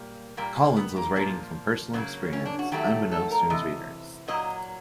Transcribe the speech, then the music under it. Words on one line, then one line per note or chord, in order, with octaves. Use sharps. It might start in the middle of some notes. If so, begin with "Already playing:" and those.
Collins was writing from personal experience, unbeknownst to his readers.
Already playing: A#2 G3 A#3
A#2 G3 A#3
B3
A#3
A#2 F3 A#3
C#3 F#3 A#3 B3
C#4
D4
F#4
D#3 F#3 A3 G4
A4
A#4
C3 E3 D#5
A#2 F#3 A#3 D#5